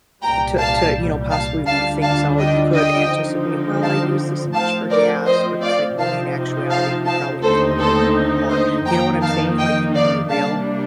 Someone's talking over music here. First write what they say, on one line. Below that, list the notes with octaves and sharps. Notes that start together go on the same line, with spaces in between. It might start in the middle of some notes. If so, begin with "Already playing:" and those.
uh, to to you know, possibly leave things out, you could anticipate, "Well, I use this much for gas," but it's, like, really, in actuality, you probably need a little bit more, or you know what I'm saying? Like, you need to be real.
C2 A#2 G3 G5 A#5
F5 A5
F5 A5
D2 D3 G3 D4 F4 F5 A5
F5 A5
D#5 G5
D#5 G5
D3 F3 C4 D#4
F5 A5
A2 F3 C4 F5 A5
A#4 D5
C5 D#5
D5 F5
C3 F3 C4 D#4 F5 A5
F5 A5
F5 A5
D#2 D3 A3 C4 D#4 A4 C5
A4 C5
C5 D#5
F2 D#3 A#3 D#4 G5 A#5
F5 A5
D#5 G5
D5 F5
C3 G3 A#3 D4 F5 A5